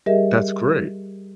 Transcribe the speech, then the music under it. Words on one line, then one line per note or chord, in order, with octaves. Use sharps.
That's great.
G3 G4 G#4 A#4 D#5 E5